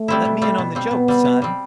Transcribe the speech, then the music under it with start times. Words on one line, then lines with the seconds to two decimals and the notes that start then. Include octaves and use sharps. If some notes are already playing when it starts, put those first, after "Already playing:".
"Let me in on the joke, son."
Already playing: A3
0.08 G3 C4 E4
0.25 B2
0.42 G3 C4
0.58 B2
0.75 G3 C4
0.91 B2 B3
1.08 G3 C4
1.25 B2
1.42 G3 C4